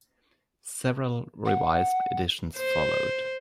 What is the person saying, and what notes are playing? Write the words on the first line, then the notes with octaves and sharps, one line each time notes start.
Several revised editions followed.
F#5
C5